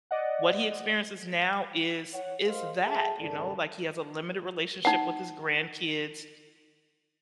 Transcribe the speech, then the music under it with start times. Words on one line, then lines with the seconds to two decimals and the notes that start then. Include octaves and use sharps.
what he experiences now is is that, you know, like he has a limited relationship with his grandkids.
0.11 D5 D#5 F#5
2.13 C#5 F#5
2.45 A#4 C5 D#5 F5
2.83 G#4 A4 E5 G5 A5
3.19 G#1 C#3 A4 A#4 D5 A5
4.85 D#4 F#5